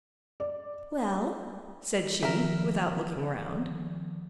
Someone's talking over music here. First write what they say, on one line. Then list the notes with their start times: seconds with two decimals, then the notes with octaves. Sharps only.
"Well?" said she, without looking round.
0.40 D5
2.23 D#3 F3 A#4 E5